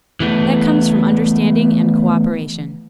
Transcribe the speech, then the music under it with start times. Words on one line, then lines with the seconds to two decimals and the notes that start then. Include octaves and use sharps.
That comes from understanding and cooperation.
0.20 E3 A3 B3